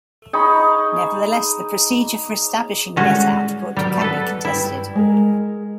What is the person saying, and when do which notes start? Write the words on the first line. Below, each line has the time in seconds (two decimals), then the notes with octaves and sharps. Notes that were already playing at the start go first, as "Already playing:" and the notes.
Nevertheless, the procedure for establishing net output can be contested.
0.33 D#4 G#4 B5 C#6
2.96 A2 G3 G#3 C#4 F#4
3.77 F#3 G3 B3 G5
4.01 A4 B4 F#5
4.45 G2 E4 G5
4.95 G#3 A#4